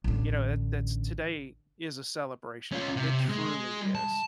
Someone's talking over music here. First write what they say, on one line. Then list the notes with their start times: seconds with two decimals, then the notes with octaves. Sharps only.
you know, that that's today is a celebration, it truly is.
0.04 A1 D3
2.72 C#4 F4
2.96 C3
3.29 G#3
3.95 A5